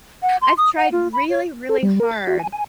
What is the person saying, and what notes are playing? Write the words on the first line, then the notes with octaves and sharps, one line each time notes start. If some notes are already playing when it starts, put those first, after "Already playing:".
I've tried really, really hard
F#5
C6
D#6
F#5
F4
B5
C#5
A4
G3
A#4
A6
F#4
G#5
G#5